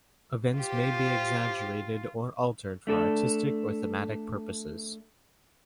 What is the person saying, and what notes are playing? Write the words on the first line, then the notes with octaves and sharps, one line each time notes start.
Events may be exaggerated or altered for artistic or thematic purposes.
F4 G4 C5
A3 D4 A4